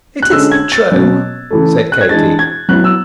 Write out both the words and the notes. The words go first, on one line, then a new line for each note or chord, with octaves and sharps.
"It isn't true," said Katie.
F#6
D3 G#3 C#4 E6
G#6
A6
B2 F#3 C#4
C#3 E3 A3
F#6
G#6
E3 G#3 D4 A6
G#6
F#3 B3 E4 F#6
E6